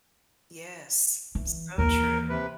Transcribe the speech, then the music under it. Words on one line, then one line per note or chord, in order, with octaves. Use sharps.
Yes, so true.
E3
D#2 E3 A#4
C3 B4